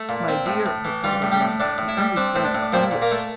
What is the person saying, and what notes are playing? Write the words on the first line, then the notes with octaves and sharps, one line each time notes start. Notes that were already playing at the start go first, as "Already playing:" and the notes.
'My dear,' her father warned, 'he understands English.'
Already playing: A3
A#2
C4
A2
A2
E3
G3 F4 F5
A2
G3 G4
A2
A2 D4 D5
A2
E4 E5
G3
C4 D4 D5
A2 C5
D4 D5
A2
D5
A#2 C4 C5
A#2
A#3 A#4
A3